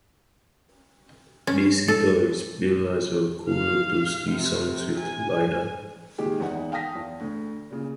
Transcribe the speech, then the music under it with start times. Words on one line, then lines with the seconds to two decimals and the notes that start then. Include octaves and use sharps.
Bass guitarist Bill Laswell co-wrote those three songs with Lydon.
1.47 C#4
1.88 A4
3.48 F5
4.31 C3
4.98 G#5
6.18 A#2 D#3 G#3 G4 G#4
6.40 E2 E3 D#4 F#5
6.72 F5 G5 A5 D#6 A#6 B6
6.95 E2
7.20 D2
7.71 A#2 C#3